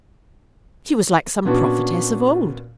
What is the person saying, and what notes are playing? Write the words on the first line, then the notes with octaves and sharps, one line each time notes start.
She was like some prophetess of old.
A#2 B3 C#4 D4 F#4